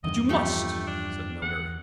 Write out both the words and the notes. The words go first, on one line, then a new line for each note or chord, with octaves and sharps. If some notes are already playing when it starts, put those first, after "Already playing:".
"But you must," said Melbury.
E2 G2 D#5
F3 A3 G4
D4
E2 F#5